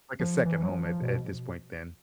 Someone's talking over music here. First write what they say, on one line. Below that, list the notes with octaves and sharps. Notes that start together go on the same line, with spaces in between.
Like a second home at at this point then.
F3
E3
F#3
F3
F3
B2